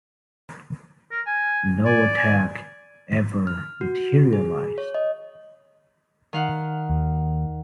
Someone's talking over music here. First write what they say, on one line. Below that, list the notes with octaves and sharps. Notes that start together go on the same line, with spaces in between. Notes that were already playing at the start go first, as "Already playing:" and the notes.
No attack ever materialized.
A#4
G#5
D5 G#5
G#5
F6
F#4
G#4
C#5
D#5
D#3 F5 F#5
D#2